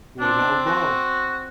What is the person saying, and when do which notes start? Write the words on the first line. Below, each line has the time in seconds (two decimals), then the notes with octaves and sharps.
What About Bob?
0.20 C4 D4
0.67 F#4